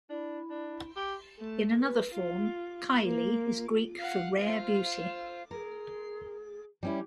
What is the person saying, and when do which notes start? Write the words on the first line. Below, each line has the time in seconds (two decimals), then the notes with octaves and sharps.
In another form, "Kailey" is Greek for "rare beauty".
0.10 D4 E4
0.50 D4
0.96 G4
1.39 A3
1.82 B4
2.14 F4
3.03 A#3
3.98 F5 F#5
4.39 F4 C5
5.51 G#4 A#4
6.83 G3 C#4 E4 G4